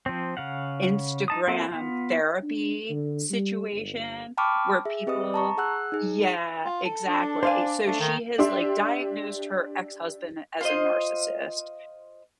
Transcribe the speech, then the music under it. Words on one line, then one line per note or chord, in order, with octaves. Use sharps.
Instagram therapy situation where people yeah, exactly so, she has, like, diagnosed her ex-husband as a narcissist,
F3 C4
C#3 F5 F#5
D#4 A5 D#6
A#3 C4 F#4 A4 E5
B3 F4
D4
D3
G3
G1
G5 A5 B5 C#6 D6 F6
G#4 E5
C4 G4 B4 D#5 D#6
A5 A#5 C#6
G#4 F#5 E6 F#6
D#4 G#4
F4
A4
D4
C5 D5 F5 G#5
A3 D4
D#3
D4 G4 E5 C6
F4 C5 D#5